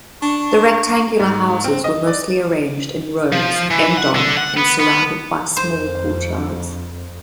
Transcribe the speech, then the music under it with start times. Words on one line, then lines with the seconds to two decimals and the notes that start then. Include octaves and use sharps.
The rectangular houses were mostly arranged in rows end-on and surrounded by small courtyards.
0.22 D4 C#6
1.19 G#2
1.64 C4
1.84 D#5
2.07 D5
3.32 F3
3.71 E3
3.97 F#5
4.15 D3
4.37 F#5
4.57 B3
4.80 B3
5.57 F2 C5